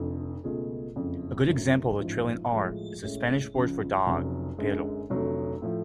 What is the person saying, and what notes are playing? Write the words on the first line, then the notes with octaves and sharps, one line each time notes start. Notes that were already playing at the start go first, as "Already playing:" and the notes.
A good example of a trilling R is the Spanish word for dog, "perro".
Already playing: F1 F2 D3
C#2 B2 A3 F4 G#4
F#1 F2 C#3
F#1 F#2 D3 F#3
A1 G#2 F3
A2 F3 G#3
A2 G#3 C#4
C#2 C#3 F3
F1 F2 C#3 F#3
F#2 D3 G#3
F1 F2 D3 F#3 A3
A2 F3 A3